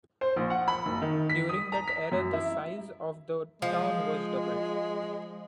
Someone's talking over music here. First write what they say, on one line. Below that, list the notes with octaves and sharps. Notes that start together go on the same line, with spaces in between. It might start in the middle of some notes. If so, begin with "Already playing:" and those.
During that era the size of the town was doubled.
C5
A#1
F#5
B5
F#1
D#3
B6
D#6
A#5
B6
F#2
E4
F3 G#3